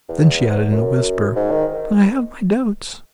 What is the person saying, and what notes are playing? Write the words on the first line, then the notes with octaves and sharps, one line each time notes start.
Then she added in a whisper: "But I have my doubts."
E2
F#2
G#2
D#3